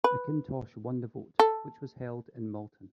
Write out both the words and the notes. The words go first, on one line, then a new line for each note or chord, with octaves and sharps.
McIntosh won the vote, which was held in Malton.
B4
A4